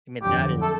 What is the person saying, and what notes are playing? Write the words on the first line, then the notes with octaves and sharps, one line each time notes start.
I mean, that is
F2 D3 F#3 G4
A4